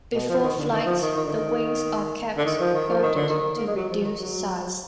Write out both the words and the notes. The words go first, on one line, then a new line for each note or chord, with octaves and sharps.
Before flight the wings are kept folded to reduce size.
B2
F3
D#3
D3
D#3
F3
D#3
D#3
D3
D#3
D3
D#3
F3
D#3
F3
D#3
D3
D#3
A#3
G#3
F#3
F3
F3
D#3
F#3